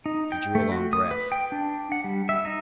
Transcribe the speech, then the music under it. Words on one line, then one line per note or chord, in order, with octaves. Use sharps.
He drew a long breath.
D#4
G5
A3
F#4
D#6
B4
G5
D4
F#5
G3
E5
D#4